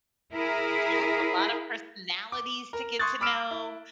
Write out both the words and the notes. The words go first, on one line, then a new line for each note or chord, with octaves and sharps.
Yes, a lot of personalities to get to know.
E4 G#4 A#4
D6
A#4
C6 C#6 D#6 F#6 G#6 A6
B5 D6 E6 F6 D7 E7
E4